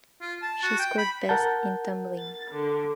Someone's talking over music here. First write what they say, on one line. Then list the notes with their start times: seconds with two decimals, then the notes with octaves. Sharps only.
She scored best in tumbling.
0.21 F4
0.42 A5
0.63 F#4
0.79 G5
0.98 B5
1.29 A#4 F#5 A5 G6
2.18 A6
2.51 D3